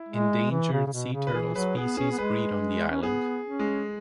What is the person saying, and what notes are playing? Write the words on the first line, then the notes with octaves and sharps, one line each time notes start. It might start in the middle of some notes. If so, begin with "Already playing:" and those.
Endangered sea turtle species breed on the island.
Already playing: E4
G#3
E3
C#3
C#3
B2
C#3
B4
E3 G#4
F#3 B4
B3 G#4
C#4 G#4
B3
G#3 B4
C#4
B3 G#4
C#4
G#3